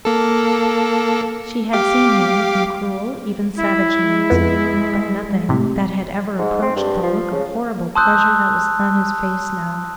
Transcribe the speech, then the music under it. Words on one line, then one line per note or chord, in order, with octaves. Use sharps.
She had seen him in cruel, even savage moods, but nothing that had ever approached the look of horrible pleasure that was on his face now.
A#3 A4
G4 F5 D6
E4
G#3
F2 B3
A2 C3
G#2
C4
G2
F3
C#3
A5 C6 D#6 E6 F#6 G6